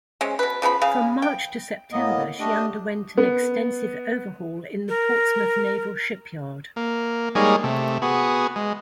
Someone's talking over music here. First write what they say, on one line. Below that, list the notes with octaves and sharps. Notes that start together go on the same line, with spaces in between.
From March to September she underwent an extensive overhaul in the Portsmouth Naval Shipyard.
G#3 C4 C#4
B2 B4
C#3 F3 B3 B5
C#3 G#4 F5
G5
A2 A#3 B3 D#5
A3 D4 G4 D#5
B3
A#4
A#3
G3 G#3 A#3 D#4 G#4 C#5
C3 A3
B3 F#4 G#4
G#3